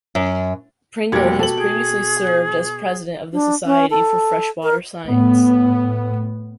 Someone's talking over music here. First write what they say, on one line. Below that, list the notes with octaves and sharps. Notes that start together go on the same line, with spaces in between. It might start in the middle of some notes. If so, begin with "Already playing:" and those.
Pringle has previously served as President of the Society for Freshwater Science.
F#2
F1 B2 G3 A#3 G4 G#6
B2 A4 F#7
G#4 G5
D4
C#4
A4
A#4
A2 B3